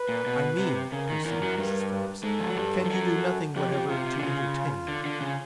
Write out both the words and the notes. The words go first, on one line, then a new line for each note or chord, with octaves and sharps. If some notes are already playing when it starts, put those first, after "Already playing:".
"I mean," proceeded Mrs. Phillips, "can you do nothing whatever to entertain?"
Already playing: B4
A#2
B2
C3
C#3 A#4
D#3
E2 E3
F#2 F#3
G2 G3
G#2 G#3 A4
F3
F#3
G2 G3
F3
F#2 F#3
F2 F3 G4
F2 F3
C3 F4
C3
D3
C#3 F4
D3
D3
C#3